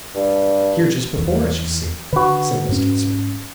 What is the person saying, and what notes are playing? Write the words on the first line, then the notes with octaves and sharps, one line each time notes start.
'Here just before us, you see,' said Mr Inspector.
G2
E2
D3 F#4 B4
G#2 C#4